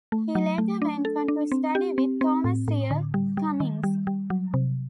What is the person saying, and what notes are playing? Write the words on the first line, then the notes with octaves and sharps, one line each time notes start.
He later went on to study with Thomas Seir Cummings.
A3
F#3
A3
D4
A4
D4
C4
G4
C4
C4
A2
A2
D3
G3
G3
D#3
G3
G3
F#3
C3